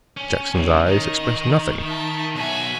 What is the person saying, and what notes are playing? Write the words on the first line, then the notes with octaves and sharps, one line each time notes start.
Jackson's eyes expressed nothing.
C#4
B1 A2 C#4
D#3 D#5
E5 A5
B1 F#4 E5 G#5